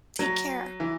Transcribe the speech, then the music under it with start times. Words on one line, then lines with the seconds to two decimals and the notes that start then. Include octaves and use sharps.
Take care.
0.19 F#3
0.80 E3